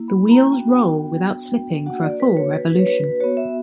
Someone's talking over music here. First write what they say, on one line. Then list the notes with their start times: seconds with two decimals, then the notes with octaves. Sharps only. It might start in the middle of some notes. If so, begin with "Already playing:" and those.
The wheels roll without slipping for a full revolution.
Already playing: A#3 E4
0.08 B5
0.31 A#5
0.52 B3 D4 F#4 G5
1.86 A#3 D4 F#4 F#5
2.03 D5
2.20 B4
2.37 C#5
2.53 B4
2.70 B4
2.79 C#5
2.87 B4
3.04 B4
3.20 B3 F#4 C#5
3.37 E5